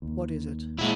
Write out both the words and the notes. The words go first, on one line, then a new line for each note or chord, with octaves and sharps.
"What is it?"
D#2
A#2 G#3 E4